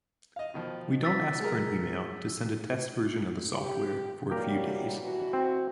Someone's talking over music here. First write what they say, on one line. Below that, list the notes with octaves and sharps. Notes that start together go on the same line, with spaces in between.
We don’t ask for an email to send a test version of the software for a few days.
D#5 F5
B2 D#3 F3
E6 A6 B6
G#3 G#4 A#4
G4
E3 F#3 G3 A#3 G4 A#4
B2 E3 F#4
C4